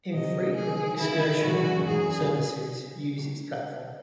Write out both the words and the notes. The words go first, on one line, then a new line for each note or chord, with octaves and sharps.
Infrequent excursion services use its platform.
C3 D#5
G#4
D#3
C#3 E4
D#3
D#3
D#3
E2 F#4
E2
F#2
G#2
E2 G#4
F#2
C#3